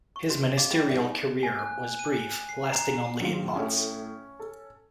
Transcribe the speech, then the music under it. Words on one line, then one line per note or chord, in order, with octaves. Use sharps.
His ministerial career was brief, lasting only eight months.
C#6
F#4
D#5 F5 D6
E4 G#4 G5
G3 D#4 D5 E5
G#5
F#6
D#7
C7
A#5
A#1 D#3 F#3 F4
A2 A3 C#4
A4